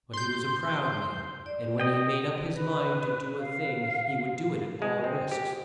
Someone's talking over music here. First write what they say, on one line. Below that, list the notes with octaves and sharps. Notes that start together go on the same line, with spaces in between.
But he was a proud man, and when he made up his mind to do a thing he would do it at all risks.
C6 G6
D5
D#5 G5
B4
F5
G#3
C4
G4